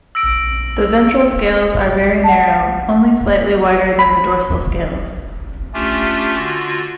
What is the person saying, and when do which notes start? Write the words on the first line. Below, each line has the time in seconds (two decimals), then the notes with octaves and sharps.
The ventral scales are very narrow, only slightly wider than the dorsal scales.
0.15 E6 A#6 D7
2.24 F#5 A5
3.99 B5
5.74 A3 C#4 D4 F4 G4
6.36 D3 F4 F#4